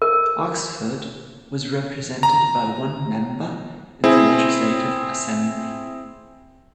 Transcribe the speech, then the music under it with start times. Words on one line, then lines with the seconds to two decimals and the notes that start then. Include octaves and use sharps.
Oxford was represented by one member in the Legislative Assembly.
0.02 A#4
2.23 A#5
4.04 C4 E4 G#4